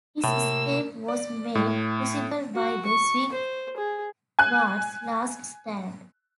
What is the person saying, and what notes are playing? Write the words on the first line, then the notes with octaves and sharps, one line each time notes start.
His escape was made possible by the Swiss Guards' last stand.
A2 C3 A#3 E6
D5
A2
F#4
C#6
C5
G#4
G#5 F#6